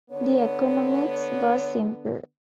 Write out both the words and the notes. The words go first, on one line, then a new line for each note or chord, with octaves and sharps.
The economics were simple.
D3 B3 C#5